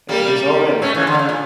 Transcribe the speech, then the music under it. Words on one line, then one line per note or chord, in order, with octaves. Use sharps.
It is already.
G3 A#3
A3 C#4
C#3 E3
D3
C#3
A#2